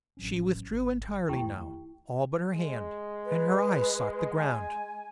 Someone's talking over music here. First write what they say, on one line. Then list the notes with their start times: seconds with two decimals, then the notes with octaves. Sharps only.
She withdrew entirely now, all but her hand, and her eyes sought the ground.
0.17 A1 F#3 C#4
0.69 G#1
1.29 E2 D#3 A3 E4 G4 G5
2.53 G#3
3.25 B4
4.38 G#5